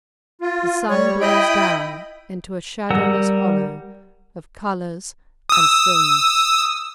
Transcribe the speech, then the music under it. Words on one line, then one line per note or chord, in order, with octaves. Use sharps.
The sun blazed down into a shadowless hollow of colours and stillness.
F4
G3 C#5
E4 D#5 G5 B5
G3 A#4 F#5 E6
D#6 E6